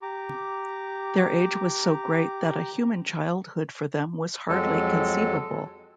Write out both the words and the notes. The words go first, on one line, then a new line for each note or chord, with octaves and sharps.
Their age was so great that a human childhood for them was hardly conceivable.
G4 A#5 D6
F2 F#3 G#3 A4